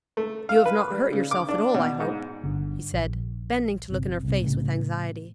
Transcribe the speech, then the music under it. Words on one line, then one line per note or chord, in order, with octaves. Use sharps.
"You have not hurt yourself at all, I hope?" he said, bending to look in her face with anxiety.
A3
F5
B4
G3
C#3
D6
D4
B2
G#2
G1 D3
A#1
G1 C3
C2 C3
A2 C#3